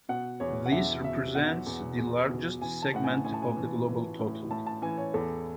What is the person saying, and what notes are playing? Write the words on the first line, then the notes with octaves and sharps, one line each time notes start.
This represents the largest segment of the global total.
B2 F#5
E2 C#5
F#5
E2 E5
B2 E5
B2 F#5
E2
E2
B2
E3 G#5
A5
A2 F#5
G#5
A2 G#5
A5
G#5
E3
E3
A2
A2 A5
A5
E3 G#5
C#5
E2 A4